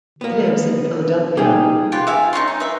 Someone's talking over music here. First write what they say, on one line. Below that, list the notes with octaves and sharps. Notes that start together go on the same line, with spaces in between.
He lives in Philadelphia.
A#3 B3
G3 D#4 G4 G#4 G5
F4 G4 B4 G5
E5 F5 G#5
D#4 G#4 C#5 C6
D#4
B4 E5